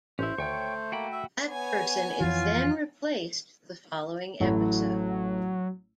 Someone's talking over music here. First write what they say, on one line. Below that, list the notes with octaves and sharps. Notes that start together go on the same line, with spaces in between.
That person is then replaced the following episode.
A1 C#4 E4 C5
D2 D#3 A3 C#5 G5 C#6
A#3 F#4 G5 B5
E5
B3 C#5 G#5
F2 E3 F4
A1 F#3 A3 E4